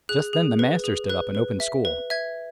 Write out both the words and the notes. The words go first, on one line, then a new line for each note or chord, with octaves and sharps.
Just then the master stood up and opened school.
G#4 F#6
G#4
B4
G#4
B4 F#6
B4
E5
B4
E5 G#6